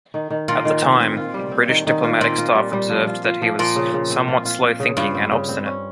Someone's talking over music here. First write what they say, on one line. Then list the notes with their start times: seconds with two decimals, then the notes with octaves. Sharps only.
At the time, British diplomatic staff observed that he was "somewhat slow-thinking and obstinate".
0.14 D#3
0.30 D#3
0.48 A#2 F4
0.65 D#3
0.82 C4
1.00 C4
1.17 F4
1.34 G3
1.51 C4
1.69 D#3
1.87 D#3
2.03 F4
2.21 A#2 C4
2.38 F4
2.55 G3
2.73 G3
2.90 F3
3.07 F4
3.24 F4
3.42 F3
3.59 A#2 F3
3.76 C#3
3.94 C#3
4.10 C4
4.28 F4
4.45 F4
4.63 F4
4.80 C#3
4.97 G2 F4
5.14 C4
5.32 C#3
5.49 C4
5.66 C#4